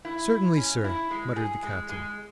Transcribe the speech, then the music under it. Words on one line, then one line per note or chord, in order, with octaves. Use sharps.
"Certainly, sir," muttered the captain.
E4
E4
C#4
E4
G#3
G#4
G#3
G#3